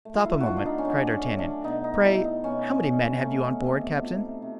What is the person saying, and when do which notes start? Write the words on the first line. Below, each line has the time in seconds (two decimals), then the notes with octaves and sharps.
"Stop a moment," cried D'Artagnan; "pray how many men have you on board, captain?"
0.05 A3
0.15 F4
0.25 E4
0.40 F#4
0.46 D3 F4
0.57 D4
0.66 D#4
0.78 C#4
0.85 F#3 D4
1.12 C#4
1.25 A3 C#4
1.39 D4
1.64 B2 D#4
1.84 D#4
2.04 G3 E4
2.25 D#4
2.44 B2 C#4
2.83 B2
3.23 A3
3.64 C3
4.03 F3
4.42 C3